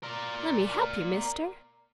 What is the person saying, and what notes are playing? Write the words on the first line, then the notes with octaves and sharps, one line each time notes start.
Lemme hep you, Mister.
A#4 D5